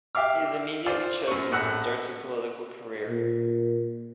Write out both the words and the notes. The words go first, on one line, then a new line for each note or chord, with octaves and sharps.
He is immediately chosen and starts a political career.
G4 E5 F5 D6 F6
F4 C5 D5
F#2 C#6
A#1 A2 F#5 E6 F#6
A#2